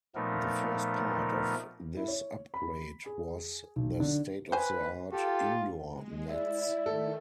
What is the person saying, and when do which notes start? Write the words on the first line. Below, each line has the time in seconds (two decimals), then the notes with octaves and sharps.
The first part of this upgrade was the state-of-the-art indoor nets.
0.15 A#2 F3 A3 B3 D#4 A#4
1.97 E4
2.08 C#5
2.54 B5
3.06 G#4
3.76 B1
4.00 D3
4.52 B4 C5 G#5
5.12 F4 G4 A4
5.92 G#3
6.29 E4 D5 E5
6.86 D#3 A3 A4